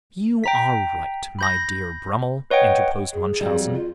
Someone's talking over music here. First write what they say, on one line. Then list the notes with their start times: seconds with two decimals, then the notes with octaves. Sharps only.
"You are right, my dear Brummel," interposed Munchausen.
0.44 G5 A#5 B6
1.39 B5 G6 A#6
2.51 B4 C#5 D#5 F#5 G5
3.12 G#4
3.41 F2 F#3 G3
3.73 F4